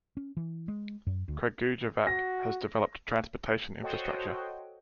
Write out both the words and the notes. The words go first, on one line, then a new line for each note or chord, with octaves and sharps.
Kragujevac has developed transportation infrastructure.
C#4
E3
G#3
F#2
D2
F#4 A#6
F#4 A4 C5 C#5 D#5 G5